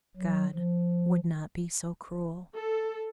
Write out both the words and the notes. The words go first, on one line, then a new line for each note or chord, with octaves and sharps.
God would not be so cruel.
F#3
F3
A4